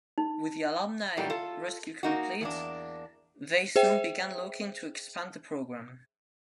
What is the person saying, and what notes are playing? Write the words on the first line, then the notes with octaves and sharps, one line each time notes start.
With the alumni rescue complete, they soon began looking to expand the program.
D#4
A#2 E3 F#3 G3 A3
F4 A4
A#3 D#4 F#4
E2 A#3 D4
G#4 C5 E5 G5